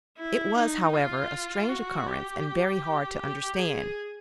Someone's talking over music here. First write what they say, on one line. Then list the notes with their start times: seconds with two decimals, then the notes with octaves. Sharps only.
It was, however, a strange occurrence and very hard to understand.
0.18 E4
0.56 D#4
0.93 F4
1.69 F#4
2.07 G4
3.19 G4
3.57 G#4